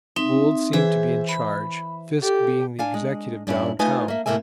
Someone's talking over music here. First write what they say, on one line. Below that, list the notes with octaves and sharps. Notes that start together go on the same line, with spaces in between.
Gould seemed to be in charge, Fisk being the executive down-town.
C4 D#4 E5
E3 G#4 C5 E5
B5
G4 A4
D4 F5 G#5
G#3
G2 C#4 E4
A3 D#4 F4 B4 D#5 G#5
A#3 E5
A2 C3 A#3 E5 G#5